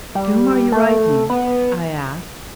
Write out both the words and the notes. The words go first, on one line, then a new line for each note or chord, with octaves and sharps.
"To whom are you writing?" I asked.
G3
A3
B3